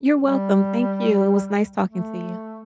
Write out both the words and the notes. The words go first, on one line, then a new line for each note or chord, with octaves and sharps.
You're welcome, thank you, it was nice talking to you.
G3
A3